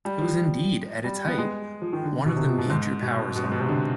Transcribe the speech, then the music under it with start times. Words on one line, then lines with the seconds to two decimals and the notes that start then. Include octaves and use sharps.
It was indeed, at its height, one of the major powers in Europe.
0.05 G3
0.21 F3
1.04 G3
1.27 B3
1.38 G#3
1.82 F3
1.93 D#3
2.04 D3
2.26 B2
2.36 C3
2.48 F3
2.58 B2
2.70 G#2
3.03 B2
3.36 B2
3.44 G#2
3.52 B2
3.60 C3
3.69 D3